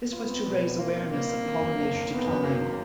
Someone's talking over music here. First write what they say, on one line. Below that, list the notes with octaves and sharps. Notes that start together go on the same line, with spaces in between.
This was to raise awareness of pollinator decline.
B3 F4
C4
B2
G3
A#3 F4
C4
G3 A#3
C4
D#3
F#2
F#1
F#1
D#3 B3
F#2
F#3 A#3
D#3